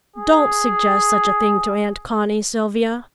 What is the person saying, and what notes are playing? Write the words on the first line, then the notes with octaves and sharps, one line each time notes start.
"Don't suggest such a thing to Aunt Connie, Sylvia."
G#4